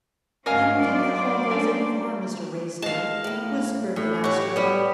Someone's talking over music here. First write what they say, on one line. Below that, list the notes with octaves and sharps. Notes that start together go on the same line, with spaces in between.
"I don't think that hole goes in far, Mr Raystoke," whispered the master.
D2 G#2 C#4 F#4 A#4 D#5 F5 G#5
F#3 C5 D5
G3 C#4 D4
G#3 F5 A5
A2 A#3
A2
F#4 G4 C#5
G3 B3